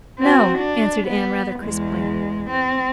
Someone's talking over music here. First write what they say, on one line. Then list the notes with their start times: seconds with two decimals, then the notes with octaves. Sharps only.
"No," answered Anne, rather crisply.
0.20 C4 F#4
0.58 D4
1.08 B3
1.60 E2 G#3
2.50 C4